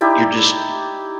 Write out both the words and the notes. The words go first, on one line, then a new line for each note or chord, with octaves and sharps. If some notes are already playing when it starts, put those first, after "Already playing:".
you're just
D#4 E4 G4 D5